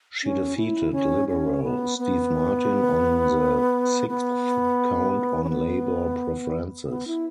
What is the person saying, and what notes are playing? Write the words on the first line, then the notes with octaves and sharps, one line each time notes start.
She defeated Liberal Steve Martin on the sixth count on Labor preferences.
C#4
E4
C#4
C#4
B3
B3
B3
C#4
B3
B3
E4